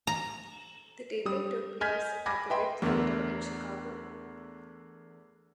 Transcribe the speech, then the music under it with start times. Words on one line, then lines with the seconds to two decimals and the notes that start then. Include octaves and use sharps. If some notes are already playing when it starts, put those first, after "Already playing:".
The taping took place at the Vic Theatre in Chicago.
0.07 A#5
1.25 G3 D#6
1.81 D#5 G#5 F6 G6 G#6 B6
2.26 G#5 B5 D6 G#6 A#6
2.50 B4 D#5 E5 G5 B5 C6
2.82 E2 D3 A3 B3 A#4 E5